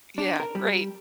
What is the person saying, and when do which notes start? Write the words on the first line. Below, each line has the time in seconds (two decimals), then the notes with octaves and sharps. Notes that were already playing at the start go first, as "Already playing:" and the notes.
Yeah, great.
0.18 D4
0.40 A#4
0.55 G3